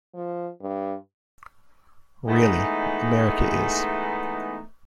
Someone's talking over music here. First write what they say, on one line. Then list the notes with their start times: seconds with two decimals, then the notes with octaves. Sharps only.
Really, America is.
0.15 F3
0.61 G2
2.28 E3 G#3 A3 B3 D#4